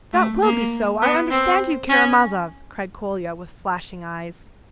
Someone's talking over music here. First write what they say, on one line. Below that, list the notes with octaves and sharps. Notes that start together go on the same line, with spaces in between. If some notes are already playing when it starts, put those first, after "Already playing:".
"That will be so, I understand you, Karamazov!" cried Kolya, with flashing eyes.
A3
A#3
B3
C4
C#4